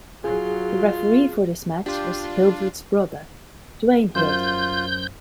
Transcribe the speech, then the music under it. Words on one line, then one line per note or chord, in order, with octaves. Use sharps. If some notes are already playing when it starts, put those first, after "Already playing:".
The referee for this match was Hildreth's brother, Dwayne Hildreth.
F#3 F4 G#4
D4 F4 G4
F#2 F4 C5 G6